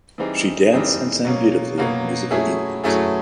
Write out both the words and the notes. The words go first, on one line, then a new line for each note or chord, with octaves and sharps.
She danced and sang beautifully at musical evenings.
E3 G3 C4 D#4 G#4
E3 G3 C4 D#4 G#4
B2 F#3 A#3 C#4
B2 F#3 A#3 C#4
F#3 A3 C#4 E4 G#4
F#3 A3 C#4 E4 G#4